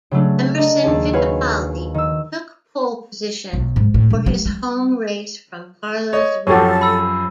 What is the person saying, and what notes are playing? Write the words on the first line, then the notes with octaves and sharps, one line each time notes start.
Emerson Fittipaldi took pole position for his home race from Carlos Reutemann.
C#3 F#3 A3 D4
D4 D#5 A#5
D#2 D4 G#4 A5
F#4 B4 C#5 F5 G#5
D#3 E6
B1
G#2
A2
E1
G3
G3
C#5 D#5
F#2 F3 F#4 G4 A4 C#5
B5 E6